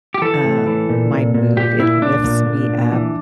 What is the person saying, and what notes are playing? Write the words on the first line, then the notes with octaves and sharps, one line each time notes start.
um, my mood. It lifts me up.
G4
E3 A4
A2
E3
A#2
A#2
A#2
A#2 G4
A#2 E4
A#2 D4
A#2
A#2
A#2
E3